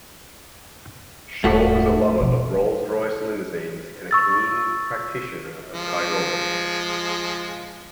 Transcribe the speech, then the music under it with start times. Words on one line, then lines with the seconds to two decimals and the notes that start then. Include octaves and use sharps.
Shaw was a lover of Rolls-Royce limousines and a keen practitioner of qigong.
1.44 D#1 G#2 A3 F#4
2.20 B2 F3
4.11 C#6 E6 A6
5.72 F3 G#3